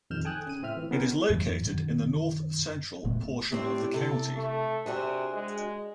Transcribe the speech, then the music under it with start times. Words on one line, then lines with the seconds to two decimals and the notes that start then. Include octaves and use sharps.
It is located in the north central portion of the county.
0.10 A#1 F2 D#3 F6 G6 E7
0.25 A4 G5 G#5 D#6 F#6
0.47 C#3 D#7
0.62 A2 C4 E5 F6
0.77 E3
0.91 B3 C#4 A#4
1.30 F2 G#2 E3 F#3
1.65 F#2 B2 D#3
3.04 E1 A#2 A3 B3
3.52 A2 C4 D4 G4
3.94 C3 A4
4.36 A3
4.86 C3 D4 F#4 G#4
5.34 G#3